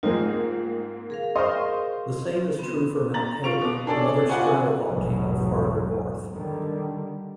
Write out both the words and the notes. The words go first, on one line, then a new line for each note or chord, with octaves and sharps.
The same is true for Mount Cayley, another stratovolcano farther north.
G#2 G#3 A#3 C4 D#4 F4
G#4 A#4 F5
C5 D#5 C6 C#6 F6
B3 C4
A#5 A6 F#7
F4 C#6 D7 F7
B2 D6
D4 G#4 A4 C#5 D5
F4 B4 D5 F#5 G#5 C#6
A1 E2 G#2 B2 E3 F#3
D3 D#3 G3